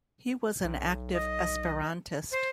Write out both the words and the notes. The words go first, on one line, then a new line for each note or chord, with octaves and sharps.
He was an active Esperantist.
B1
D#5
C5